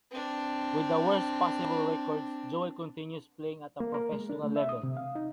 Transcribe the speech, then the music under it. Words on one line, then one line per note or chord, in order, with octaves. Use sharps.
With the worst possible records, Joel continues playing at a professional level.
C4 D4
A#3
A#4
G#3
D4
A3
E5
D#6
C3
F5
D#4